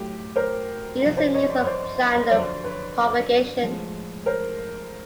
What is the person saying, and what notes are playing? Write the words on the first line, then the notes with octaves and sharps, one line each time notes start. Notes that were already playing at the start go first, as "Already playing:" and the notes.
It is a means of plant propagation.
Already playing: A2 F#3 G4
A#4 C5
C2 C3 F3
C5 D5
C#5 D#5
D5
C#5
C5 D5
F2 D3 F#3 C5 D5
B4 C#5
A2 F3 G#3
A#4 C5